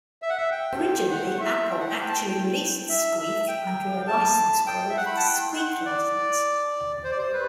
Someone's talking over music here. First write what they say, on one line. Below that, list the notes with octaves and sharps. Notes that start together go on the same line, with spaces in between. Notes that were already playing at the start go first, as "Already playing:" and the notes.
Originally, Apple actually released Squeak under a license called the "Squeak License".
E5
F#5
E5
G5
F#5
E5
G5
F#5
G5
G5
A5
G5
G5
E5
E5
G5
A5
G5
E5
F#5
B5
A5
G5
F#5
D5
C5
D5
C5
B4